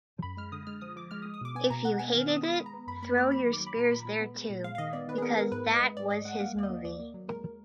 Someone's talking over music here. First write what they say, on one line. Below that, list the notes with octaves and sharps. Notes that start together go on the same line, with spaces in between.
If you hated it, throw your spears there too, because that was his movie.
F#2 B5
G#3 F6
D3 D#6
G#3 F6
F3 D#6
F3 D6
G#3 F6
D#6
G#3
D#6
B2 D6
B3 G#5
B2 A#5
B2 F#5
B3 G#5
D#3 F6
B3 D#6
G#3 B5
G#3
A#5
B3
F#2 B5
A#3 B5
A#3 D6
F#3 B5
D#3
D6
F#3
B5
A#2 A#5
A#2 B5
A#2
B3
G#3
A#2
G#3 F5
F5
D#3 D#5
B3 D5
D#3 B4
G#4
B3 A#4
B3 A#4
G#2 B4
G#2
D#5
G#3
G#2 D5
G#2 D#5
G#3 F#5
F#5
A#3 F5
D#2 D5
D#5
A#3
D#2 D5
A#3
F#3
G#3 A#4